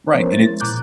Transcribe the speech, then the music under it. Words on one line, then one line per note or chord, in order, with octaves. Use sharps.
Right, and it's
F3 B3 C#4 A#4 C5 C#5
G#3 E4 A6
A#2 A#5 D6 F#6 G6